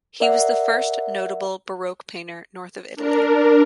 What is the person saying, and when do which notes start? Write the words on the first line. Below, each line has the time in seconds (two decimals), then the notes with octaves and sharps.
He was the first notable baroque painter north of Italy.
0.20 A#4 D5 E5 F#5
2.96 D4 A#4